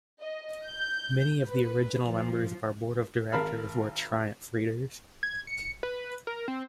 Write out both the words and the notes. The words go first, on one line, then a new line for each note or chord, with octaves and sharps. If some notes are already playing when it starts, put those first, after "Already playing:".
Many of the original members of our Board of Directors were "Triumph" readers.
D#5
G6
B4
F3
G#1 A#4 F5 A5 B5 F6
G#6
C#7
B4
A#4
C4